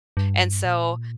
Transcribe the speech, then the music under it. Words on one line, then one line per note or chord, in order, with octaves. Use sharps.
and so,
G2
A#2